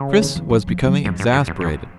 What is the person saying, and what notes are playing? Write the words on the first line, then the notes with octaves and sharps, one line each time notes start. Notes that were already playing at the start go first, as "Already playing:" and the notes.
Chris was becoming exasperated.
Already playing: C#3
D#3
E3
F3
F3
F#3
G#2 F3
G2
F#2
E2
F2